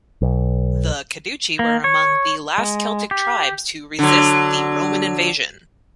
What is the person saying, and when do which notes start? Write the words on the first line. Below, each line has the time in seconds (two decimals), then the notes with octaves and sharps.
The Cadurci were among the last Celtic tribes to resist the Roman invasion.
0.22 B1
1.59 A#3
1.84 C#5
2.58 G#3
3.11 G4
3.99 D3 F#3